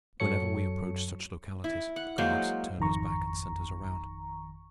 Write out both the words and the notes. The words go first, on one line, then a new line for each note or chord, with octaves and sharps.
Whenever we approached such localities, the guards turned us back and sent us around.
F#2 F#3 A4 C#5 C#7
E4
F#5
F#3 G#3 A#3 C5
G#1 F2 D#3 A#5 C#6